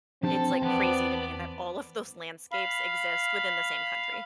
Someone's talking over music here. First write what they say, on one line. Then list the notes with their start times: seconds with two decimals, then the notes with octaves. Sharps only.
it's, like, crazy to me that all of those landscapes exist within the same country.
0.23 F3 C4 D4 G4 A4 A5
0.62 E2 B3 D5 A5
2.51 F5 B5